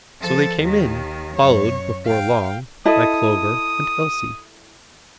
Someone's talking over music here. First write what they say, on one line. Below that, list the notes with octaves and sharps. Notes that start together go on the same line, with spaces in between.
So they came in, followed, before long, by Clover and Elsie.
F3 A4
D#2 D#3
F#2 C#5
F5 G5
E4 A4 D#5 D#6